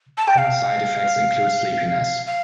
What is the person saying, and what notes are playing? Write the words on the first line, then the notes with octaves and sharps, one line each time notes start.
Common side effects include sleepiness.
A5
G5
F5
F5